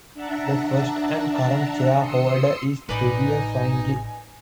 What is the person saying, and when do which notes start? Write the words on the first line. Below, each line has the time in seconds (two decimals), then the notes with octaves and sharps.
The first and current chair holder is Trevor Findlay.
0.14 D4 E5 F#5 A5 A#5
1.98 C6 D#6 E6 C#7
2.89 A1 D#4 B4 D5 D#5 G#5